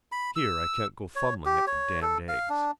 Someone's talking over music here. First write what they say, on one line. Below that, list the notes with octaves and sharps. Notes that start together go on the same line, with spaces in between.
Here, I can't go fumbling at the damned eggs.
B5
E6
C#5
G4
C#5
A4
F5
D4